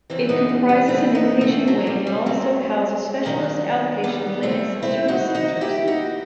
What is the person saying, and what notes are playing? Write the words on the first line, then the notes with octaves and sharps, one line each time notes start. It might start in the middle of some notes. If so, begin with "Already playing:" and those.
It comprises an inpatient wing and also houses specialist outpatient clinics and service centres.
F#2 E3 C4 E4
B3 D#4
G3
G3 B3
A3 C4
B3 D#4
A3 C4
F#3 A3
G3
G3
F#3 A3
G2 D#3 F#3
G3 B3
A3 C4
C4 E4
D#4 F#4
D#4 F#4
E4 G4
D#4 F#4